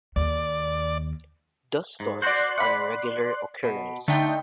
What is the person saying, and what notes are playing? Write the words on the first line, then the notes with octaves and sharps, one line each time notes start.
Dust storms are a regular occurrence.
D#2 D5
G#2
F#4 C5 D5 C6 F#6
F#5 B5
B2
D3 A3 D#4 G5